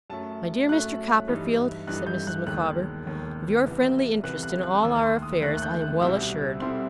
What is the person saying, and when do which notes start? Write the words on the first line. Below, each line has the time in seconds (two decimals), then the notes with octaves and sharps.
'My dear Mr. Copperfield,' said Mrs. Micawber, 'of your friendly interest in all our affairs, I am well assured.
0.10 F#2 F#3 A3 A5
0.68 F#2 F#3 A3 F#6
1.28 G2 E3 G3 D#4
1.87 G2 E3 G3 D#4 F#6
2.06 G6
2.27 F#6
2.46 E1 D#2 D#3 F#6
3.06 E1 D#2 D#3
3.65 C2 C3 E3 B3
4.23 C2 C3 E3 B3 F#6
4.43 F#6
4.63 F#6
4.83 D#2 D#3 A3 E6
5.03 C6
5.22 D#6
5.41 D#2 D#3 A3 F#6
5.57 F#6
5.62 G6
5.82 F#6
6.01 C2 B2 G3 C4 E4 E6
6.60 C2 B2 G3 C4 E4 C6